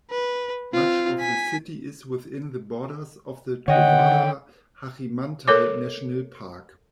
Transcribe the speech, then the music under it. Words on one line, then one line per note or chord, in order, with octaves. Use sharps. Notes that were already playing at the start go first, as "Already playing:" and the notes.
Much of the city is within the borders of the Towada-Hachimantai National Park.
B4
C4 F4
G#5 B6
D3 D#3 C#5 D#5 F#5 G5
A4 A#4 C#5 D6